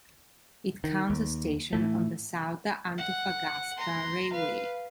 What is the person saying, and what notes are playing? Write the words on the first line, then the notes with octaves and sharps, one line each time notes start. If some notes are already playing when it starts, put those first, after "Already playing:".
It counts a station on the Salta-Antofagasta railway.
D#3
D#2
A2 E3 A3
F#5
A#5 C6
B4 F5